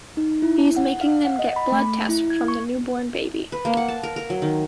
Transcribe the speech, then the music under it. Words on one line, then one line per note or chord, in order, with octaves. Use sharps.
He's making them get blood tests from the newborn baby.
D#4
E4
F#5
F5
F#5
D#5
B5
A3
E4
G#6
C#6
B4
A#3
F#5
A5
A#4
A#4
F#3
D#3